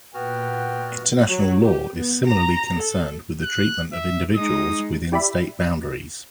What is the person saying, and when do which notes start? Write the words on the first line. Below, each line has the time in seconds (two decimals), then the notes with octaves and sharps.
International law is similarly concerned with the treatment of individuals within state boundaries.
0.14 A#2 B3 F#4 B4 G5 F6
1.30 F#3
1.66 G4
1.97 B3
2.28 A#5
2.79 A4
3.43 F#6
3.93 E5
4.36 G#3 D#4 D#6
5.12 E4 G4 D5 E5 B5